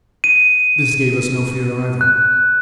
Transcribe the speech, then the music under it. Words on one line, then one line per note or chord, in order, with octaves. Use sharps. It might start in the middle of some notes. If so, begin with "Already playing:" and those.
This gave us no fear either.
D#7
F#6